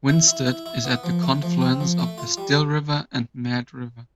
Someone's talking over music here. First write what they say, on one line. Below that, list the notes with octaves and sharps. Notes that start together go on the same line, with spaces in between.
Winsted is at the confluence of the Still River and Mad River.
E4
E4
E4
E4
B3
F3
A3
F3
C4
F3
A3
F4
G3